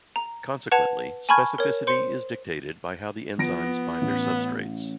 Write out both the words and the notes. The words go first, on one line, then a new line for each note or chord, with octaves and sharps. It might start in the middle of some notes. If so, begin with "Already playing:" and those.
Consequently, specificity is dictated by how the enzymes bind their substrates.
A#5
B4 F#5 A5 G#6 F7
G#5 A5 B5 C#6 F6 G#6
A#4 C#5
C5 C6 C#7
F3 B3 A#6 D7
A1